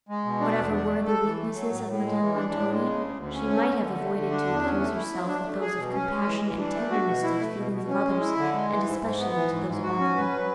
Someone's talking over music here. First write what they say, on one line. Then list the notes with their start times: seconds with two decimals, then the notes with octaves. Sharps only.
Whatever were the weaknesses of Madame Montoni, she might have avoided to accuse herself with those of compassion and tenderness to the feelings of others, and especially to those of Emily.
0.09 G#3
0.25 B2
0.40 D4
0.57 E2
0.74 D4
0.90 A3
1.06 A4
1.23 E3
1.38 A3
1.54 F#3
1.70 A2
1.87 A2
2.03 G#3
2.19 E3
2.35 D4
2.52 A2
2.69 G#3
2.84 C#3
3.00 D2
3.16 D2
3.34 C#4
3.50 A3
3.66 D3
3.82 D3
3.98 A3
4.15 D3
4.31 D4
4.46 E2
4.63 C#4
4.80 A3
4.96 E4
5.12 F#3
5.28 D4
5.44 A3
5.60 G#4
5.77 B2
5.93 C#4
6.10 G#3
6.26 E3
6.42 E3
6.58 D4
6.75 A3
6.91 F#4
7.07 B2
7.23 E4
7.40 A3
7.56 B2
7.72 B2
7.89 C#4
8.05 G#3
8.21 E4
8.37 D3
8.53 G#3
8.70 E3
8.86 G#2
9.01 G#2
9.18 B3
9.35 E3
9.51 G#2
9.66 G#2
9.83 F#4
10.00 C#4
10.16 B4
10.32 F#3